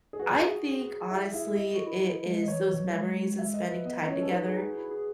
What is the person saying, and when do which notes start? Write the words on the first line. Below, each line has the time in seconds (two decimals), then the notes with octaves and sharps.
I think honestly, it is those memories and spending time together.
0.13 G#4
0.19 F#4 B4
0.43 G#4
1.11 E4
1.34 E4
1.56 D#5
1.73 F#4
1.87 E4
2.03 E4
2.26 G#3
2.43 D#5
2.48 E3 C#5
2.64 E3
2.79 F#3
2.94 G#3
3.16 G#3
3.39 G#3 E5
3.54 D#5
3.69 B4
3.84 B3 D#5
4.02 D#5
4.07 C#4 C#5
4.22 A4
4.30 D#4 B4
4.45 G#4
4.61 F#4
4.76 E4
4.91 G#4